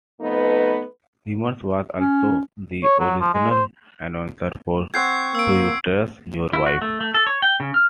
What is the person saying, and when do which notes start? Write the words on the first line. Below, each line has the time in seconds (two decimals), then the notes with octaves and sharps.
Reimers was also the original announcer for Do You Trust Your Wife?
0.21 F2 A3 B3 D#4 B4
1.98 C#4
2.84 C#5
3.00 F#3
3.21 F3
3.34 G#3
3.51 C5
4.94 C4 F#5 G5 C#6 G#6 C7
5.35 A#3 E6 D7
6.53 E4
6.66 F#4
6.82 A3
7.01 A3
7.14 A4
7.27 C#5
7.42 G5
7.60 C#3
7.74 F6